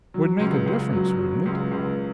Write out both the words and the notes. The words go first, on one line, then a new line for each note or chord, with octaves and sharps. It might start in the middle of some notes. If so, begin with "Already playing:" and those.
Would make a difference, wouldn't it?
F#3
C#2
C#2
F#3
F#3
C#2
C#2